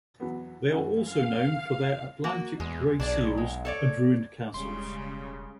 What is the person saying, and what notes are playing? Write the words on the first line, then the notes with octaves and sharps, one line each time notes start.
They are also known for their Atlantic grey seals and ruined castles.
E2 F#3 B3
F#2 E3
F5
A#3 F#4
E2 G#3
B1 D4 G#4 D5
G#3
A4 C#5 D5
E1 C#3 G3 G#3 C6